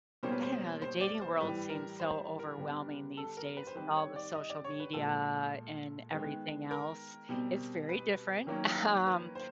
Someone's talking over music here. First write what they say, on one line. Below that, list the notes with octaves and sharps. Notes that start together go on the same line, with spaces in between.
I don't know, the dating world seems so overwhelming these days with all the social media and everything else. It's very different, um,
B2 G3 A#3 C#4 C5
B4
C5
C5
D5
C5
A2 E3 G3 B4
A#4
C5
A#4
D3 G3 B3
A4
A#4
B4
C5
D#3 G3 C4 B4
C#5
D5
D#5
D5
C#5
B4
A#2 F3 G#3 A4
D#3 G#3 B3
A#4
B2 G3 C4
B4
D#3 F#3 A#3 C#4
B4
C5